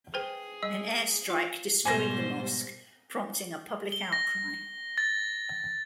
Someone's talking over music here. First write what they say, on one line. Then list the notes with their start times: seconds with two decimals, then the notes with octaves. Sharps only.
An airstrike destroyed the mosque, prompting a public outcry.
0.14 G#4 B4 C5 G5
0.63 G3 D#5
1.30 F4 F5
1.85 G#2 B2 G3 C5 G#5 D6 A#6
3.92 G7
4.13 A#6
4.98 A6